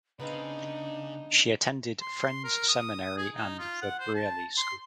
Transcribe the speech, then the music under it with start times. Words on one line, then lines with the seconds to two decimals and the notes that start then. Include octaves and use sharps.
She attended Friends Seminary and the Brearley School.
0.20 C#3 B3 C4 D4 D#4 F5
2.01 C6
2.44 A#4
2.68 D#6
3.18 G#4
3.34 D#4
3.59 F4
3.82 F#5
3.99 C5
4.15 A5
4.57 C6